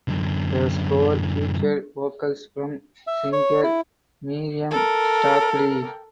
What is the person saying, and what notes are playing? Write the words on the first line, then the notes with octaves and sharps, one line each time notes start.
The score featured vocals from singer Miriam Stockley.
F#2 D3
E5
C#5
E4
A4 A#4